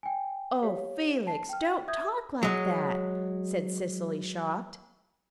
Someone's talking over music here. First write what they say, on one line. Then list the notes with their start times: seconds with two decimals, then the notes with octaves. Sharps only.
"Oh, Felix, don't talk like that," said Cecily, shocked.
0.03 G5 G#5
0.63 G4 C#5 F5
1.27 A5 C7
1.49 G5 F6
1.88 E5 D#6 G6 G#6
2.43 F#3 G#3